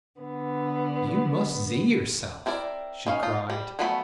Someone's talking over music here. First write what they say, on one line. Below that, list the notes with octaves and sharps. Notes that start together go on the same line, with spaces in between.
"You must zee yourself!" she cried.
D3 B3
C4 E4 A#4 D5
D#3 C#4 F5
D#4 F4
G3
F3 F#3 A3 B3 B5